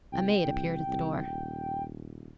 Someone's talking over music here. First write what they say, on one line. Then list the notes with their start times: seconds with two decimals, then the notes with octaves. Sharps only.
A maid appeared at the door.
0.12 C2 G5
0.44 C2
0.87 C2
1.27 D#1